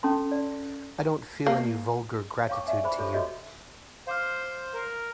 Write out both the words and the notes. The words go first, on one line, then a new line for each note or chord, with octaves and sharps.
I don't feel any vulgar gratitude to you.
C#4 A4 A5 C6
D5
A#3
C#5 F5 G5 A5 C#6 D6
D5 E5 G#5
G#4 C5 B5
E4 F4 G4 A4 C5 C#5
F#4 A4 C#5 D#5 E5
C5 F5 D6 F6
A#4